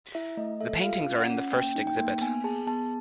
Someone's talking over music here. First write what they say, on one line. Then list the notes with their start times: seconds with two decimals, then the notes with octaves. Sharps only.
The paintings are in the first exhibit.
0.15 E4 E5
0.37 A3 D#5
0.61 A4 E5
0.83 F4 F5
1.07 C#4
1.18 F#5
1.30 C#4
1.52 A#3 G5
1.75 D#4
1.87 G5
1.99 A#3
2.21 B3 G#5
2.44 G#4 A5
2.67 B3 A5